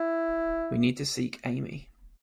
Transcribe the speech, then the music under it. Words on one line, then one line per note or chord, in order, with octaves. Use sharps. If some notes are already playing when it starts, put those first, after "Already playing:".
We need to seek Amy.
Already playing: E4